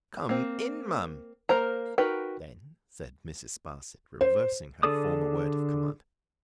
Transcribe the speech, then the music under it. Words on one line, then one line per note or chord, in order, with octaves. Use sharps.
Come in, ma’am!’ then said Mrs. Sparsit, reversing her former word of command.
A#3 C4
A#3 A#4 C5 A#5
D#4 F#4 A#4 B4 G5
C5
D3 G#4 A4 D5 D#6